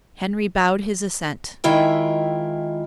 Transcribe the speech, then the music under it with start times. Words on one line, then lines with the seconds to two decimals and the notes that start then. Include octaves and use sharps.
Henry bowed his assent.
1.64 D#3 G#3 E4 F4 E5 G5